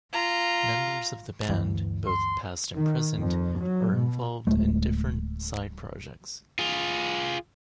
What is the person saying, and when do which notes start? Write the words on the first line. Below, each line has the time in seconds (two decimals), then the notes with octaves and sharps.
Members of the band, both past and present, are involved in different side projects.
0.13 F4 A#5
1.49 D2 G2 E3
2.06 C6
2.76 D#3
3.16 F2
3.58 F#3
3.95 B2
4.47 D1 G#3 A3
6.59 F4 G#4